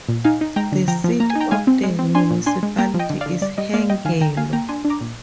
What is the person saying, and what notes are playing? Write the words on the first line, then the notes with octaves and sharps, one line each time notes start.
The seat of the municipality is Hengelo.
A#2
D#4 F5 G#5
D#4
G#3 G5 A#5
D3
F3 G5 A#5
F3
A#3 A#5
G#5
D#4
G5 A#5
G#3 F5 G#5
C4
G#3
C4
D4 G#5 C6
A#2
D4 G#5 C6
G#3
A#3 G5 A#5
F3
D#5 G5
D3
D5 F5
D3
G3 D5
G3 D#5
A#3 D5 F5
G3 D#5 G5
D#3 F5 G#5
D#3 G5 A#5
A#3 F5 G#5
A#3 G5 A#5
D4 G#5 C6
D4
A#5 D6
A#2